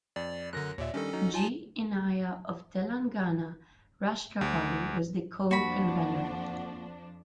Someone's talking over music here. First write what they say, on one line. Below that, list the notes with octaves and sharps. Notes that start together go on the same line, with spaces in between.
G. Innaiah of Telangana Rashtra Party was the co-convenor.
F2 D5
F#2 D3 A#4 F#6 A#6
D#2 A#2 C#5 D5 E5
D#3 G3 C#4 D4 A4
F#3 D#4
F4 G#5 A5
D2
F2 F3 A#3 D4 F#4 F#5 B5